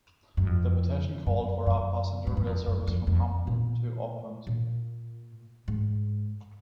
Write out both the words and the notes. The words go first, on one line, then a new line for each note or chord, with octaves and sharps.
The petition called for a passenger rail service from Hamilton to Auckland.
F#2
F2
F#2
F#2
G#2
F#2
F2
F#2
F2
F2
A#2
A#2
G#2